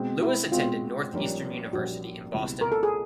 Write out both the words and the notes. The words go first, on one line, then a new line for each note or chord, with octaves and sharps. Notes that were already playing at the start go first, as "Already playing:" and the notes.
Lewis attended Northeastern University in Boston.
Already playing: B2 G#3 C4
E4
B2 G#3 C4 F4
A#1 A#2 G3 A#3 C#4
A#1 A#2 G3 A#3 C#4 F#4
C#2 B2 G3 C4 E4
A#4
A4
G#4